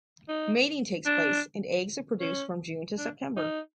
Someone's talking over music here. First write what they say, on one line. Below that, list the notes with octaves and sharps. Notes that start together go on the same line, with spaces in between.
Mating takes place, and eggs are produced from June to September.
D#4
D4
C#4
D4
D#4